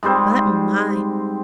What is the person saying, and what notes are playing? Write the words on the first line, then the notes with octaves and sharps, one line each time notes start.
But, my!
G#2 G3 C4 C5